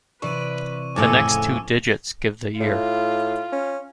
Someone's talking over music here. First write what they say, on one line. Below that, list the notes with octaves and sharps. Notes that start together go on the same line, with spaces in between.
The next two digits give the year.
C3 E3 B4 D5 C#6 D#7
F2 A2 C#3 G#5 D6 E6
A2 F4
C#4